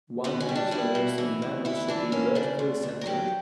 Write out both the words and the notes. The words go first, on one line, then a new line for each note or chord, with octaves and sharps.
One-page letters and memos should be vertically centered.
B2 B3
C#4
G3
D4
G3 E4
B2
E3
D2
E3 E4
E3 D4
A#3 C#4
C#3 D4
D2
D2
A#4
F#3 G4